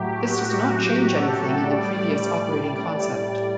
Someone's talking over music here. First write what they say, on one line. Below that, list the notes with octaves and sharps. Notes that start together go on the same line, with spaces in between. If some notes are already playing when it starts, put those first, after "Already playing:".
This does not change anything in the previous operating concept.
Already playing: A2 F#3 G4
F#4
G4
A4
A2 G3 D5
D5